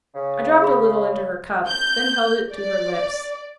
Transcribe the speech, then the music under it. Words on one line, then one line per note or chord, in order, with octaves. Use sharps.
I dropped a little into her cup, then held it to her lips.
C#3
G#4 B5
G6
D5